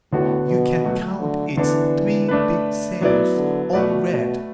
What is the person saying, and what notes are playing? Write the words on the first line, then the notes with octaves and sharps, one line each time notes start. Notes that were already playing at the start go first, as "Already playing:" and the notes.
You can count its three big sails--all red.
A2 D3 B3 F#4
B2
F#3 A3 F#4
D3
D3 E3 B3 D4
A3 D4 B4
F#3 A3 B3 E4 D5
D3
B2 A3 F#4 B4 D5
B2